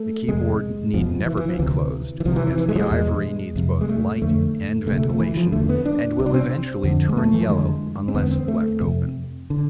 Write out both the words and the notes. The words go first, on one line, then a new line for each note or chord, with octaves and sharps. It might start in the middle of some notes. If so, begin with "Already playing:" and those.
The keyboard need never be closed, as the ivory needs both light and ventilation and will eventually turn yellow unless left open.
Already playing: A3
F2 C3 G#3
E2 B2 F3
E3
E3
F3
D2 C3 E3
E3
C2 C3 F3
E3
E3
E3
G#3
F3
G#3
E2 B2
F2 C3
G#3
A3
F2 D3 A3
D2 C3 A3
A3
A3
E3
F3
E2 D3 A3
B3
D4
C2 C3
D4
C4
F2 D3
G#3
A3
E3
F3
F2 D3 G#3
C4
E2 D3 B3
C4
A3
F2 C3
D3